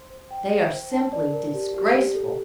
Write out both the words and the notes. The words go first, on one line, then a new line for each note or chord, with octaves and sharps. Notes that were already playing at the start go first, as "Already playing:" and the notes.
They are simply disgraceful.'
Already playing: C5 C6
C5
G5
C5
C5
A5
D5
A#4
G4
G4
G4
A4